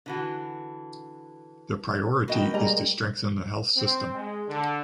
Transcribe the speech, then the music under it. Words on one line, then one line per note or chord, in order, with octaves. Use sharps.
The priority is to strengthen the health system.
D3 E3 F#4
A#3 F#4 A#4 B4 D#5 G5
G3 G#3 D#5 A#5
C4
G#3
D3